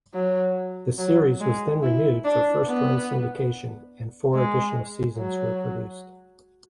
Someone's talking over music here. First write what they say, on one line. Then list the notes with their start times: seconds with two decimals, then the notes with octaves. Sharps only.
The series was then renewed for first-run syndication, and four additional seasons were produced.
0.15 F#3
0.99 F#3
1.41 G#3
1.83 E4
2.25 D4
2.66 B3
4.34 G#3
5.18 F#3